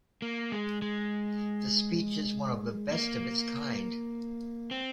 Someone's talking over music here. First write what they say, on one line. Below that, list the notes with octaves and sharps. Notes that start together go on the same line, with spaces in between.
The speech is one of the best of its kind.
A#3
G#3
G#3
A#3
C4